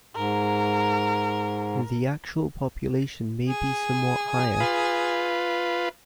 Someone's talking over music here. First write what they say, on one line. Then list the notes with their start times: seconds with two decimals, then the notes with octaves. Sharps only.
The actual population may be somewhat higher.
0.15 G#2 A#4
3.48 G#4
4.60 F4 B4